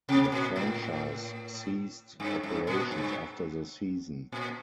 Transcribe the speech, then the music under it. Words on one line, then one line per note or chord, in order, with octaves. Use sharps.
The franchise ceased operations after the season.
C3
A#2
A2
G2
G2
A#2
G2
A#2